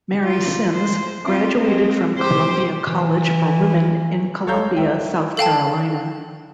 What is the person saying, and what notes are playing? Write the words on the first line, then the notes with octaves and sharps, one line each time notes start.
Mary Simms graduated from Columbia College for Women in Columbia, South Carolina.
F4
C5
C4 F4
G#3 C4
G4 C5
E3
A4 C#5 F5 A#5 G6
E5 G5
A4 F5 G5 A5